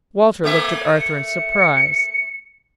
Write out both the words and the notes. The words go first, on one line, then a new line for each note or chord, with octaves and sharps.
Walter looked at Arthur in surprise.
A3 A#3 E5
C#7